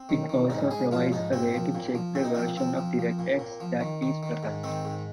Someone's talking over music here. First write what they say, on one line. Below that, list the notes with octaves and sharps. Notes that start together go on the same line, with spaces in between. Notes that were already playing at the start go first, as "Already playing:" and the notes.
It also provides a way to check the version of DirectX that is present.
Already playing: C4
D#3
D#3
G#2 D#4
G#2 G#4
F3 F4
G#2 D#4
A#2 C4
F3
A#2
F3
A#2 C4
D#4
F3 C4
F3 C4
F3
F3
A#2
A#2
F3
D#3
D#3
D#3
G#2
D#3 C4
G#2